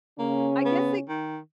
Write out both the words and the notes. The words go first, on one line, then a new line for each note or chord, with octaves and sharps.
I guess it
C#3 A#3 C#4
B3
D#3